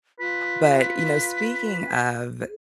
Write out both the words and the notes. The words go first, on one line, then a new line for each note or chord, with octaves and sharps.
But, you know, speaking of,
F4 B4 B6